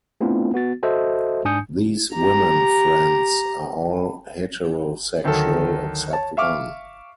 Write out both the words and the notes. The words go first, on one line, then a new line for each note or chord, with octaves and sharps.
These women friends are all heterosexual except one.
A3 B3 C4 D4 E4 F4
B3 F#4 A6
F#4 A4 C5 D#5 E5
G#2 D4 G#5 D#6 G6 C#7
G4 A#5
D2 D#3 F#3 A4
C#5 A5
E5 F5 C#6 D6 F6